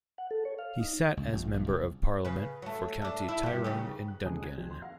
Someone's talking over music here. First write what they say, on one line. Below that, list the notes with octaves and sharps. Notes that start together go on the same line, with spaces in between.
He sat as Member of Parliament for County Tyrone and Dungannon.
F#5
A4
C#5
F5
D#4
C#2
A#1
A#1
C2
C#3 B4
F#3 A3
A3 D4
E4
G2 C3
D#2 C#3 G4
F#6
F1 F2 C#3 G#3 G#5 D#6
F#6 G#6
F2
C6
F5 F#5 A#6